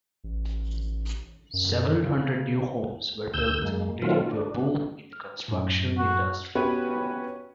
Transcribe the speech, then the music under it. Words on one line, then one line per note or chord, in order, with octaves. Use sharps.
Several hundred new homes were built, leading to a boom in the construction industry.
A1
F#2
C#3
D2 E6 G6
F#2 G#3 A#3
D#3 F#3 A3 C4 F4
D4
F6
F#2 A2
F#4
B3 C#4 F#4 G4 B4 C#5